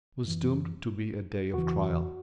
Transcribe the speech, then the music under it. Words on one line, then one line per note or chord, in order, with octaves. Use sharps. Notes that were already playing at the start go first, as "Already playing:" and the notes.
It was doomed to be a day of trial.
F#2 E3
E2 C#3 E3 F#4